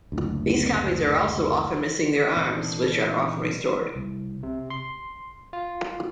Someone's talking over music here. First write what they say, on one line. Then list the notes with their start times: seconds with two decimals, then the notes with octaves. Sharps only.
These copies are also often missing their arms, which are often restored.
0.12 F#1 D2
2.37 A#2 E3 C4 D4 D#4 A4
3.95 C2
4.43 C3
4.70 C6
5.53 F4